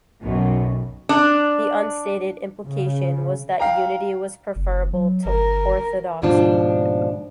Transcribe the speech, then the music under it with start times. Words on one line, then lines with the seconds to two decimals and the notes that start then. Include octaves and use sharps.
The unstated implication was that unity was preferable to orthodoxy.
0.21 B1 F#2 B2
1.09 D4
2.66 C#3
3.60 F5 G5 A#5
4.56 F#1
4.93 F#3
5.25 G1 A#4
6.22 D#2 G#2 B2 F3 D4